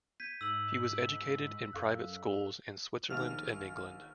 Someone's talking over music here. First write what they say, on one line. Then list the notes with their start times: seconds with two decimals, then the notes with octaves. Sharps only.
He was educated in private schools in Switzerland and England.
0.20 G6 G#6 B6 D#7
0.41 G#2 E6 F#7
1.73 F#2 A4 F5 F#6
3.10 A#1 D#3 F6